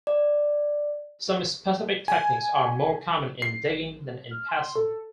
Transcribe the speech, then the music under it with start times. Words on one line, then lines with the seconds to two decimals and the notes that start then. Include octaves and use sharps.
Some specific techniques are more common in digging than in passing.
0.07 D5
2.08 G#5
3.42 C7
4.31 F6
4.49 C6
4.76 A4